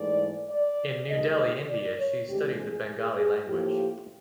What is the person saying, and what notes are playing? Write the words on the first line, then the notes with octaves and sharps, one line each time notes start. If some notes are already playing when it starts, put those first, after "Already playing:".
In New Delhi, India, she studied the Bengali language.
Already playing: G#2 E3 A3 D5
D5
D#2 D#3 G#3 D#5
D5
C#5
D2 C3 E3 G#3 G4
G#4
G#4
G#4
A2 F3 A#3 G4